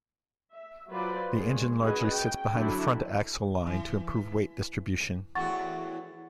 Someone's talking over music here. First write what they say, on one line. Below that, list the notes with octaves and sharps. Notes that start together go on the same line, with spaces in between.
The engine largely sits behind the front-axle line to improve weight distribution.
E5
F#3 F4 B4 C5 D5
D#3 G#3
C#4 F#4 G#4 B4 D#5
G5
D3 F#3 D4 E4
E3
E2 A2 F#4 F#5 C#6 A6